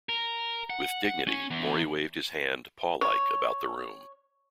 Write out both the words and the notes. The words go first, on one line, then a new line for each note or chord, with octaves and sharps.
With dignity Maury waved his hand paw-like about the room.
A#4
F#5
F#5
C#4
E2
C#5